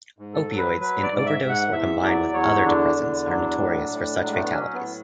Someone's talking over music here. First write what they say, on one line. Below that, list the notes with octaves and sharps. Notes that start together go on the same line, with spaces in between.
Opioids, in overdose or combined with other depressants, are notorious for such fatalities.
G#2
A4
F#3
B4
F#3 B4
D5
G#2
D5
E5
G#2
F#5
E2 E5
F#3 D5
E2 C#5
D3 D4
E2
F#3
A2
A2
F#3
G#3
A3
B3
F#3 C#4
B3
A2